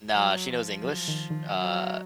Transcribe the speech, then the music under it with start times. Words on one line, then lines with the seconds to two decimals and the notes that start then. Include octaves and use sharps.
nah, she knows English. Uh,
0.15 F#3
0.50 F3
0.84 F#3
1.08 D#3
1.30 D#3
1.54 F#3